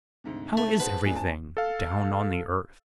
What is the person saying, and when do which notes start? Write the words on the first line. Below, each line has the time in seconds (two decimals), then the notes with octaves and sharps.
"How is everything down on the earth?"
0.24 D2 G#2 C3
0.57 A3 A5
0.80 G#4 B4 C5 F#5
1.05 F#2 A2 G#3 D4 F4 G#5
1.16 C4 A5
1.57 A4 F5